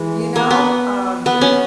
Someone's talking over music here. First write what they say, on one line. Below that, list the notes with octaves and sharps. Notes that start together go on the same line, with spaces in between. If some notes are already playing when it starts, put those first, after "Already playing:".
you know? Um,
Already playing: E3 G#3
A#3
B3
B3
C#4